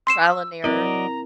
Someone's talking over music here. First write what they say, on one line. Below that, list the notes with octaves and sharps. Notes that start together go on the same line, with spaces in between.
Trial and error.
C6 E6 C7 E7
F#3 C4 E4 A#4 D5 D#5 A#5